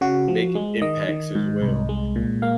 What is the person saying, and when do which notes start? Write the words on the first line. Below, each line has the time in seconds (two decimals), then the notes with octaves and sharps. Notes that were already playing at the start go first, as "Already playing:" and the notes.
making impacts as well,
0.01 C#3 F#4
0.28 F3
0.55 G#3
0.81 D#3 D#5
1.09 D#3
1.35 G#2
1.62 C2
1.89 G#3
2.16 A#2
2.42 A#3 F5